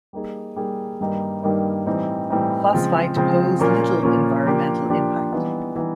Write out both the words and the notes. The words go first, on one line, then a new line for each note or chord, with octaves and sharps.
Phosphite pose little environmental impact.
G3 A#3 D#4 G#4
G3 A#3 D#4 G#4
G2 D#3 G3 A#3 D#4
G2 D#3 G3 A#3 D#4
A2 E3 G3 C4 D#4
A2 E3 G3 C4 D#4
C#3 F3 G#3 C4
C#3 F3 G#3 C4
A#2 F3 A#3 C#4
A#2 F3 A#3 C#4
F3 A#3 D4 G4
F3 A#3 D4 G4
E3 G3 B3 D#4
E3 G3 B3 D#4